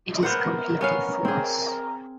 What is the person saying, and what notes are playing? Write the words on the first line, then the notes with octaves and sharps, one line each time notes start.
It is completely false.
B3 A#4 C5 F#5
B3 C#4 F5
C4 G#4